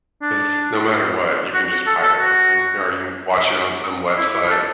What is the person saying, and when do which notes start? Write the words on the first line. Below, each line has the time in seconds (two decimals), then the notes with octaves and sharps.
'cause, no matter what, you can just pirate something, or you can watch it on some website.
0.22 D4
1.54 F#4
1.71 F#4
1.87 A4
2.03 A4
2.20 F#4
4.18 E4
4.34 E4
4.51 A4